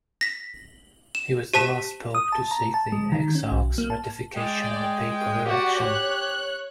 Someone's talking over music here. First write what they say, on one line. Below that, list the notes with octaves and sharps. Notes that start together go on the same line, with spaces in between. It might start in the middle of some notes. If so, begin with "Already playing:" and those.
He was the last pope to seek the exarch's ratification of a papal election.
A#6 B6
E7
G4 C5 A5 B6 E7
D#6
A5
A#5
A5
G#3
D#3
C#4
B1
A#3
A5
G#3 D5 G5
G5
F#4 G4 D5
C#5 F#6